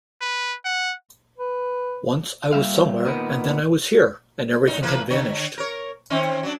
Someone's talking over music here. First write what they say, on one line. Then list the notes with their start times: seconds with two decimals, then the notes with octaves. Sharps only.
Once I was somewhere and then I was here, and everything had vanished.
0.21 B4
0.65 F#5
1.38 B4
2.53 A#2 G3 E5 F5
3.05 A#2 D#3 B3
4.67 A2 D#4
4.83 E3 A#3 B4
5.10 D3 C#5
5.58 A#4 C#5
6.10 D#3 C4 C#4
6.43 F#3 D4